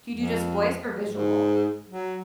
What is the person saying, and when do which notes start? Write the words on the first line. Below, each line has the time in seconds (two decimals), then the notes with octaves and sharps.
Do you do just voice or visual,
0.12 F2
1.09 G#2
1.88 F#3